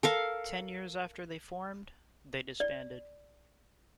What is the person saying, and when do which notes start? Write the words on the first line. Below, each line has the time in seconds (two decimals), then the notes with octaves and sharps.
Ten years after they formed, they disbanded.
0.03 A4 A#4 F5
2.60 D5